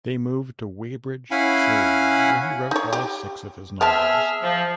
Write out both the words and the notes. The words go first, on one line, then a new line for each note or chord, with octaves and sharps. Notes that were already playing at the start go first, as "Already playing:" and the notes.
They moved to Weybridge, Surrey where he wrote all six of his novels.
C#4 E4 F5 F#5 G#5 B5
D#4 C#5
G4
B3 C4 G#4 E5 A5 F6
F3